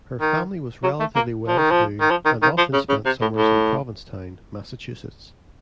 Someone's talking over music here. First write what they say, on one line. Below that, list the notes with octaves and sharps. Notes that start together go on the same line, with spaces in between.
Her family was relatively well-to-do and often spent summers in Provincetown, Massachusetts.
D#3
F#3
A3
A#3
F3
D#3
F3
D#3
F3
D#3
D#3
F3
C#3
C#3
C3
A2
A2